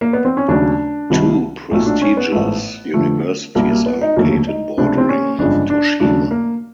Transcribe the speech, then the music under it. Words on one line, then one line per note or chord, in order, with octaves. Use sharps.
Two prestigious universities are located bordering Toshima.
A#3
B3
C4
C#4
D#2 C#3 F#3 A3 D4
C2 C3 D#3 G3
B1 A#2 F#3 A3
D4
C#4
B3
A1 G#2 F3 A3
F2 D3 F3 A3
C2 B2 G3 A#3
A#3
B3
D#4
F1 D#2 D3 F#3 A3 A#3
D#4
C#2 C3 F3 A3 D4
C4
C#4
G1 F2 C#3 F3 G#3 D4
D4
D#2 C#3 F#3 A3 D4
A#3